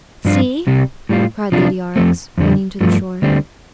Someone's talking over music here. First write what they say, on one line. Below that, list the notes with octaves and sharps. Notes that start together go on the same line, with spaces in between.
"See!" cried Lady Aurex, pointing to the shore.
G2 F3 D4 F4
C2 C3 G3
A2 G3 F4
C3 F3 D4 F4
F2 F3 A3 C4
F2 D3 G3
G2 F3 A3
D2 D3 G3 C4